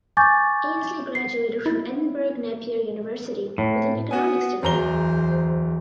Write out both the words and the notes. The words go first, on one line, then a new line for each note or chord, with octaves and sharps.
Ainslie graduated from Edinburgh Napier University with an economics degree.
G#5 C#6 D6 G6 A6
C7
E4
A2
B3 F#4 G#5
D1 E2 C5 A#5 G7